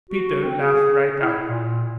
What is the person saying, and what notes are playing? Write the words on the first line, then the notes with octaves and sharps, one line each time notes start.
Peter laughed right out.
F#4
C4
G#4
E4
A#2